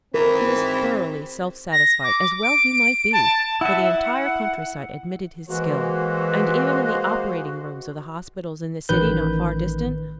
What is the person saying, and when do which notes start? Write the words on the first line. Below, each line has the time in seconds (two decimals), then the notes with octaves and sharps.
He was thoroughly self-satisfied, as well he might be, for the entire countryside admitted his skill, and even in the operating rooms of the hospitals in the city not far distant.
0.14 G#1 E3 C4 A#4
1.72 A#6
2.03 D6
2.43 D7
3.13 A5
3.61 E4 E5 F#5
5.48 E3 G#3 A#3 F#4 C5
8.89 A1 D#3 B4 G6